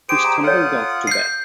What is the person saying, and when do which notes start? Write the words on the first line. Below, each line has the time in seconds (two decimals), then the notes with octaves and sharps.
He stumbled off to bed.
0.09 G4 G#4 C5 D7
0.25 A#5
0.44 F4 A4 C#5 F#5 D#6
1.07 G6 C7